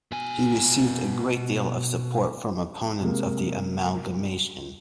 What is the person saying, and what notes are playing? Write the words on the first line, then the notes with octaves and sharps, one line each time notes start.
He received a great deal of support from opponents of the amalgamation.
B2 G#5
C3 G#3 A#3